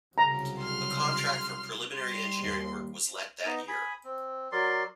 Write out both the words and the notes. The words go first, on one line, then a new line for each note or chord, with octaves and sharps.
A contract for preliminary engineering work was let that year.
C2 C#3 F#3 A#5
C6 F6
G3 C6
D#2
B3 D#4 D#5
G#5 B5 D#6
C4
F#3 A#4 D5 C6